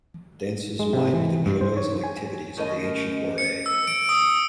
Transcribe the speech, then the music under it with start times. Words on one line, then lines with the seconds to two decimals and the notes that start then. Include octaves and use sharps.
Dances mimed the joys and activities of the ancient Waray.
0.79 G#3
0.93 C3
1.13 E3
1.46 G2
1.61 C5
1.77 C#5
2.04 G#5
2.57 D#2 A3 C#4 A#4 D#5 G#5
3.38 C#7
3.66 E6
3.87 D7
4.09 D#6